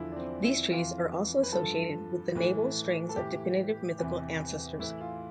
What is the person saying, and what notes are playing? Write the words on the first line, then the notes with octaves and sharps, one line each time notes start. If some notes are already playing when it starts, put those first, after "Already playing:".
These trees are also associated with the navel-strings of definite mythical ancestors.
Already playing: E2 D3 F3 E4
D4
C4
E4
F2 E3 F4
B4
G2 F3 A4
A2 E3
A4
A2 E3 G4
E2 C3 E3
A2 E3 E4
F4